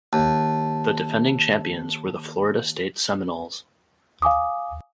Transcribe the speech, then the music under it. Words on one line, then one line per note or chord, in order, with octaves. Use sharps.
The defending champions were the Florida State Seminoles.
D#2 A5
F5 G#5 D6 D#6